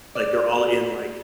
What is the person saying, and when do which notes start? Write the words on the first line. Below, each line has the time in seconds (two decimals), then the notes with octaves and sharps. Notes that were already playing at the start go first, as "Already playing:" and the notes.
like, they're all in, like,
0.15 D5